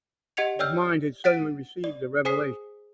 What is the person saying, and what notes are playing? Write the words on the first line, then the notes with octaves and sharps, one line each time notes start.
His mind had suddenly received a revelation.
G4 D#5 F#5 G#6 C#7 F7
C#5 D5 G5 E6 F6 G6
F#5 F#6 A6 B6 D7 D#7
D5
G#4 C5 G#5 D#6 B6 C7